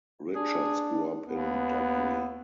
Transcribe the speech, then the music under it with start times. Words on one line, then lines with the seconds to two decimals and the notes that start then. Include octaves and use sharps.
Richards grew up in Dudley.
0.35 D4 G#4
1.29 D#2 B3